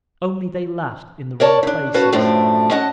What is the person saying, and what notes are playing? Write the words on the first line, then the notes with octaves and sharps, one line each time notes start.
Only they laughed in the wrong places.
A#4 C#5 D5 A5
C#3 D4
C#4 F#4 B4 F5 A5
F#2 A2 F3 A3 D4
C#4 D#5 F#5 A5